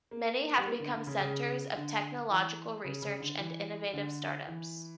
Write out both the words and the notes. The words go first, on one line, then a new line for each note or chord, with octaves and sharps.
Many have become centres of technological research and innovative startups.
A#3
G3
A#3
D3
D3
C#3
C#3
D3
E3
C#3
C#3
D3
E3
D3
E3